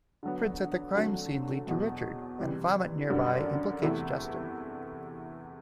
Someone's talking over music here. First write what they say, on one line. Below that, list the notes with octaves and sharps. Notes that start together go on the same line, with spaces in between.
Footprints at the crime scene lead to Richard, and vomit nearby implicates Justin.
D3 F#3 B3
D3 F#3 A3 C4
E2 B2 F#3
C3 E3 G3
F#2 D3 G3 D4
E2 C3 E3 A3 E4